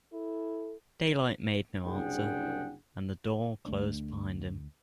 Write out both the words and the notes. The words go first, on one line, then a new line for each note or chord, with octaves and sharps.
Daylight made no answer, and the door closed behind him.
E4 A4
F#1 C2 D4 G#4 F#5 G5
D2 A3 D4